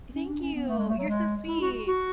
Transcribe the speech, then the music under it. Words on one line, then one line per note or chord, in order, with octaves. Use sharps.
Thank you. You're so sweet.
C#4
D4
C#4
B3
A3
G#3
A3
F#3
G#3
E4
F#4
F#4